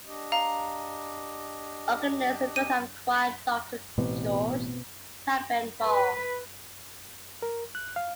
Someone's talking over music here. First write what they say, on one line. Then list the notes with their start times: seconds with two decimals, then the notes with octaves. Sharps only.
Organist and Director of Choir Doctor George Thalben-Ball.
0.06 D4 G4 D#5
0.32 F5 A#5
2.56 D#7
3.98 A1 B2 B3 C4
5.82 B4
7.42 A#4
7.75 F#6
7.96 F5